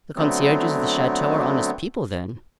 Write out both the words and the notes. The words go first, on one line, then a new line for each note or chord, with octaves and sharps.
"The concierges of the chateau are honest people, then?"
D3 F#3 A3 B3 C4